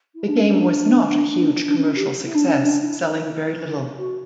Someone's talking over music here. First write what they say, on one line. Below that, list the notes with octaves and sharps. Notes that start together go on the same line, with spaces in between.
The game was not a huge commercial success, selling very little.
E4
D4
C#4
D4
D4
C#4
E4
G4
E4
D4
C#4
D4
E4
F#4